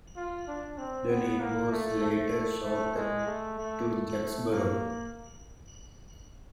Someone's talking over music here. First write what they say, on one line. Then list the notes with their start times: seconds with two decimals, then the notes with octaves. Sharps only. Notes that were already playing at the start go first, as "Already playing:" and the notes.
The name was later shortened to Jacksboro.
0.17 F4
0.47 D4
0.78 C4
1.10 B3
1.40 A#3
1.72 A3
2.03 A3
2.65 A3
2.96 G#3
3.27 A3
3.58 A3
3.89 A3
4.20 A3
4.51 A#3